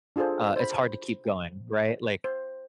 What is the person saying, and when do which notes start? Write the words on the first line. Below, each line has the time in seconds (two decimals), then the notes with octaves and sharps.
uh, it's hard to keep going, right? Like,
0.16 D4 F4 G#4 A4 C5
0.56 C5 B5
2.24 C5